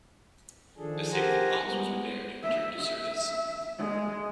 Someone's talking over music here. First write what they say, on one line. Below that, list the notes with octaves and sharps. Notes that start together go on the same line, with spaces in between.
The signalbox was repaired and returned to service.
D#3 F3 D4 G#4 A4
G4 A#4 C5 F#5 G#5 A#5
G3 G#3 B3
E5
E5
G#3